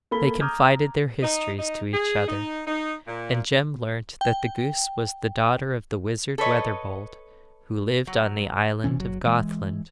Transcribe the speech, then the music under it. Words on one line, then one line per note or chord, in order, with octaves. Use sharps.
They confided their histories to each other, and Jem learnt that the goose was the daughter of the wizard Weatherbold, who lived on the island of Gothland.
A#3 A4 B5 G7
A#5 D6 D#6 F6 G6 G#6
D#4
D#4
G#4
D#4
D#4
A#2
G5
A4 B4 C#5 D#5
F#3
C3 E3 C#4
F#1 F#3
E3 G#3